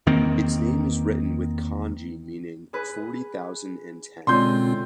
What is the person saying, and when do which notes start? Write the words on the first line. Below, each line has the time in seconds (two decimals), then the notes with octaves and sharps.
Its name is written with kanji meaning "forty thousand and ten".
0.07 E2 D#3 A#3 C4
2.73 G#4 B4
4.27 B2 D3 G#3 C4 C#4 F4 C6 G6